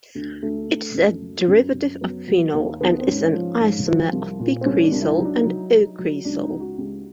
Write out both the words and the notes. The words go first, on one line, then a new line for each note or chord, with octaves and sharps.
It is a derivative of phenol and is an isomer of "p"-cresol and "o"-cresol.
D2
D2 A3
D2
F#2
F#3
F#2
F#2
F#3 B3
F#3
D#2 A#3
D#2 B3
C4
G#2 C#4
F3
G#2
F3
C2
A#2
C4
C2 C#4
D4
C2
E4
D#4
F#3
D4
D#4
F#3
F#3
F#3
C#2 D4
D#4
C#2
F#4
C#2 G4